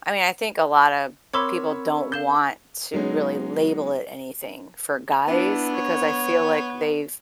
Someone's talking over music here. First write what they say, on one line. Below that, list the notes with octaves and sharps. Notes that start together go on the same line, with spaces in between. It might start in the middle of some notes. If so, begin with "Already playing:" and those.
I mean, I think a lotta people don't want to really label it anything for guys because I feel like they've,
C4 A#4 C#5 B5 C6 D6 E6 G#6
F5 G6 E7 G7
F#3 G#3 B3 D#4
B3 D4 E4
C#5